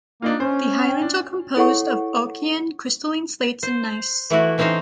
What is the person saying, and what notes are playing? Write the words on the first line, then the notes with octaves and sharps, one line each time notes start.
The highlands are composed of Archean crystalline slates and gneisses.
A#3 D4 D#4 F4
C#4 C5
G5
D4
E4 G#4 A4 C#5 F#5 C#6
C5
E3 A3 E4 F#4
E3 C4 C#4 D#4 C5 F5